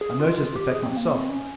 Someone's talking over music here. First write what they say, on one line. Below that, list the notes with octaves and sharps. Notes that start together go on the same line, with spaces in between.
'I noticed the fact myself.'
G#4
F4
F4
G4
G#4
C4
A#3
C4
C#4